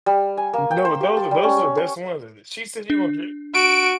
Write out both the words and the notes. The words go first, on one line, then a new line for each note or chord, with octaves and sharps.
N no, but those are those are the best ones, she said you gonna dri
G3
G#5
A#3
G5
C5
G4
A5
G3
C#4
C#4
C#6
D4
F#4 D7